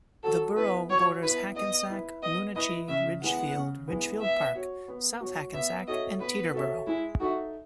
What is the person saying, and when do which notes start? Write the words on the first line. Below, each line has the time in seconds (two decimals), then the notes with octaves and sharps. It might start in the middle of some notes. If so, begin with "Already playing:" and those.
The borough borders Hackensack, Moonachie, Ridgefield, Ridgefield Park, South Hackensack and Teterboro.
0.23 F#3 A4
0.57 B3 E4 B4
0.90 F#3 C#5
1.23 B3 E4 B4
1.56 B3 D#5
1.90 E4 B4
2.22 B3 D#5
2.55 E4 B4 D#5
2.88 C#3 E5
3.22 E3 G#3 B3 F#5
3.55 C#3
3.88 E3 G#3 B3
4.21 B3 E5
4.55 F#4 C#5
4.88 B3
5.20 F#4 C#5
5.54 B3 E5
5.88 F#4 A4 C#5 D#5 E5
6.20 B3 B4
6.53 F#4 A4 C#5 E5
6.87 G#3 E4
7.19 D#4 F#4 A4 E5